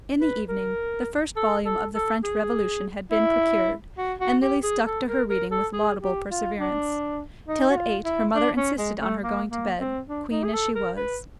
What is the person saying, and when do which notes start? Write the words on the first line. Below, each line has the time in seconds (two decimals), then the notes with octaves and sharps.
In the evening the first volume of the French Revolution had been procured, and Lily stuck to her reading with laudable perseverance; till at eight her mother insisted on her going to bed, queen as she was.
0.20 B4
0.48 A#4
1.36 A4
1.65 A4
1.94 A4
2.23 G#4
3.11 E4
3.97 F#4
4.20 F#4
4.42 G4
4.63 G#4
4.85 A4
5.08 A#4
5.29 A#4
5.51 A4
5.73 G#4
6.02 G4
6.31 F4
6.60 D4
7.48 D#4
7.69 F#4
7.76 F4
8.05 E4
8.34 D4
8.56 C#4
8.78 G#3
9.00 A3
9.22 A#3
9.51 A#3
9.80 C4
10.08 D4
10.31 D#4
10.44 G#4
10.53 A4
10.75 A#4
10.96 B4